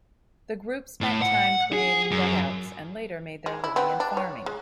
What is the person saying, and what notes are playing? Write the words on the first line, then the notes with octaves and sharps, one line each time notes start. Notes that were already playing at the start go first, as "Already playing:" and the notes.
The group spent time creating dugouts and later made their living in farming.
A2
F#5
G#4
F#2
G#3
E4
B3 C4
D4
C#5
G#3